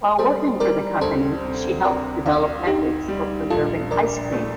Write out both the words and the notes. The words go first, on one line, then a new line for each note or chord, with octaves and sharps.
While working for the company she helped develop methods for preserving ice cream.
G3 A4 C5
G3 A#4 D5
D2 A4 C5
C3
C3 A#4 D5
D2 D5 F5
D2 D#4 G4
G3
A#1 F4 A4
A#1 A#4 D5
A3